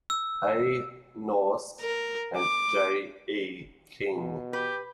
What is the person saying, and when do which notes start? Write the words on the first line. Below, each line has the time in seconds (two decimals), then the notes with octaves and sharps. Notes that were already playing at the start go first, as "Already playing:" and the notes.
A. Knauss and J. E. King.
0.10 E6
1.81 A#4
2.37 D6
4.15 B2
4.53 G4 B4